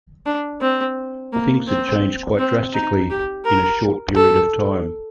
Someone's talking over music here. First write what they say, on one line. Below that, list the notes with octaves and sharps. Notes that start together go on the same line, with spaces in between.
Things had changed quite drastically in a short period of time.
D4
C4
A#3
C4
C4
D#4
G4
A#4
A4